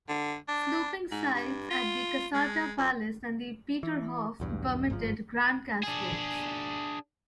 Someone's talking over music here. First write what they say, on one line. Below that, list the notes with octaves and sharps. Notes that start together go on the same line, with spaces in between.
Sloping sites at Caserta Palace and Peterhof permitted grand cascades.
D3
D4
G#2
G2
F4
G#3
F2
E3
B1 E2 G2
G1 G#2 C#3 F3
D4 G#4